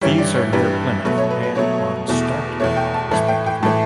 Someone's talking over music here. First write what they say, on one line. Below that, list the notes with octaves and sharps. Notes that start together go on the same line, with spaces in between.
These are near Plymouth and on Start Bay respectively.
G2 E3 G3 C#5
D5
C#5
G2 E3 G3 B4
B2 F#3 A3 B4
C#5
B4
B4
B2 F#3 A3 C#5
E2 B2 A3
E2 B2 A3 C#5
G5
A5
A2 E3 A3 A5
G5
G5
A2 E3 A3 A5